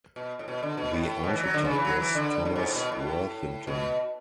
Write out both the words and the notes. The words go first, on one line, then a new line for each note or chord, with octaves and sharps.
The architect was Thomas Worthington.
B2
A2
B2
D3
B2
A2
B2
E3
F#3
D3
C#3
E3
F#3
E3
D3
A2
G#2
A2
B2
A2
B2